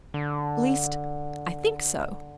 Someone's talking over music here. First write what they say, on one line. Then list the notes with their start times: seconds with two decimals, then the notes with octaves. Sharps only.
'At least, I think so.
0.14 D3